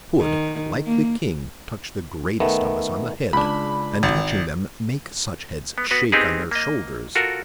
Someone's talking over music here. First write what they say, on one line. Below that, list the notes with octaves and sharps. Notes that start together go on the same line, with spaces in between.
He could, like the king, touch the greatest of us on the head, and touching them make such heads shake on their shoulders.
D#3
A#3
D#3 A3 B3
C#2 D4 B5
G#1
B3
B3 F#4 B4
B3 C4 D#4 G4 G#4
A#3 D#5
F4 F#4 A4 A#4